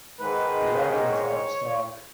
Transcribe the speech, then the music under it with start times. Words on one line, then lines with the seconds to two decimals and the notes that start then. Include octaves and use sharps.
The album is out of stock.
0.19 G#2 D#3 G#3 B4
1.10 C#5